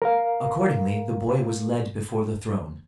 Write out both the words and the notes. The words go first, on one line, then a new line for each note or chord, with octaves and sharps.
Accordingly, the boy was led before the throne.
A#4 F5